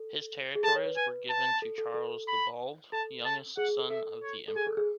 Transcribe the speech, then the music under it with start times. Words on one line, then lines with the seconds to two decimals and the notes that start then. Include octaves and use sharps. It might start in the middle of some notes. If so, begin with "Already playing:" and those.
His territories were given to Charles the Bald, youngest son of the Emperor.
Already playing: A4
0.55 G#4
0.64 A4 A5
0.75 C#5
0.86 B4
0.97 B4 G#5
1.29 A5
1.62 A4
1.78 A4
1.94 A4
2.28 B5
2.92 A4 A5
3.25 A5
3.57 G#4 F#5
3.68 G#4
3.79 A4
3.90 A4 E5
4.23 C#5
4.48 A4
4.56 G#4 G#5
4.67 A4
4.77 G#4